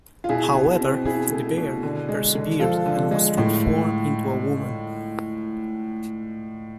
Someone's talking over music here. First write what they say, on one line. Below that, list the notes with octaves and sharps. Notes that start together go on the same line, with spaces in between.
However, the bear persevered and was transformed into a woman.
F4
B2 E4 G#4
B2
C4
B2 E4 G#4
A3
B2
D3
G#3
D3
F3 F4 A4
D3
G#3
A2